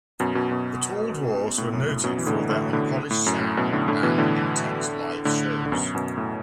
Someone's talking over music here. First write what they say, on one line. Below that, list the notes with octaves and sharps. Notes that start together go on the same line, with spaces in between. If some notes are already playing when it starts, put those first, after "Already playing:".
The Tall Dwarfs were noted for their unpolished sound and intense live shows.
F#2 B2
F#2 B2
F#2 B2
A2
F#2
A2
F#2 B2
E3
A2 D3
A2 D3
A2 D3
A2
F#2
A2
F#2 B2
A2 D3
A2 D3
B2 E3
A2 D3
A2 D3
D3
F#2 B2
F#2 B2
A2